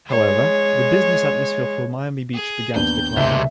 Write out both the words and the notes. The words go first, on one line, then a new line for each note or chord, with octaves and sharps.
However, the business atmosphere for Miami Beach began to decline.
G#3 C#5
G#4
D#2 B3 D4 G6
C#2 C3 E5